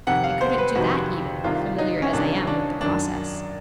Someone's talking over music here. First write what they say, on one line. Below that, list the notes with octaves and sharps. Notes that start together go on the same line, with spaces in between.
I couldn't do that even, familiar as I am with the process.'
F2 C3 D#3 F#5
F5
C5
B4
F2 C3 D#3 F#4
C2 C3 D#3 F4
D#4
C#4
C2 C3 D#3 D4
D4
F#2 D#3 D4